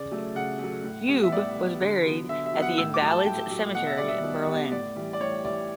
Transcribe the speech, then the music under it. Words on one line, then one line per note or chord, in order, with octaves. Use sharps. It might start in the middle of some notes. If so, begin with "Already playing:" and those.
Hube was buried at the Invalid's Cemetery in Berlin.
Already playing: C#3 D5
F#3 A3
C#3 F#5
F#3 A3
A2
G3 B3
E5
A2 D5
G3 B3
D3
F#3 B3
D3 E5
E5
F#3 B3
F#5
A2 E6
D6
F#3 A3
A5
A2 G5
F#3 A3
B2 F#5
E5
G3 B3 D5
E5
B2
G3 B3
A2 D5
E3 G3
D5
A2 C#5
E3 G3 D5